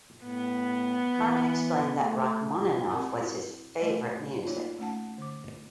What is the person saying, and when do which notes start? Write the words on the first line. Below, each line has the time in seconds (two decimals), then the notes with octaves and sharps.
Carmen explained that Rachmaninoff was his "favorite music".
0.24 A2 B3
1.16 E3
2.01 A3
2.91 C4 G4 A#4 D5 F#5 B5
3.21 E4 F#4
3.80 G3 A3 G4 D#5
4.47 A#3 D#4 F4 F#4 C#5 D5
4.79 A3 C#4 F#5 A5
5.18 D3 D6